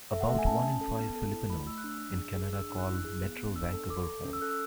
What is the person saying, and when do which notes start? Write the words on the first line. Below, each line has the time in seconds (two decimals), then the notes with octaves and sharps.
About one in five Filipinos in Canada call Metro Vancouver home.
0.12 A4 E5
0.21 F#5
0.29 A3 E5
0.39 G#5
0.46 C#4 A5
0.64 C#4
0.81 A4
0.98 B3
1.16 A4
1.32 E4
1.50 A3 B5
1.67 A3 E6
1.78 F#6
1.84 D4 E6
2.01 D4
2.18 G#4
2.36 G#4
2.53 D4 E6
2.70 D4
2.78 F#6
2.86 E4 E6
2.95 F#6
3.04 G#4
3.21 B3
3.39 B3
3.56 D4 E6
3.73 A4
3.90 A4 D6
4.08 A4
4.24 C#4
4.33 E6
4.42 A4 F#6
4.50 E6